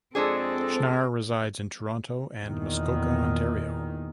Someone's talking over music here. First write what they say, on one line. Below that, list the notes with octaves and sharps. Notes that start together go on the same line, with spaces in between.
Schnarre resides in Toronto and Muskoka, Ontario.
F2 G#3 C4 D4 G#4 A4
E2 A#2 D#3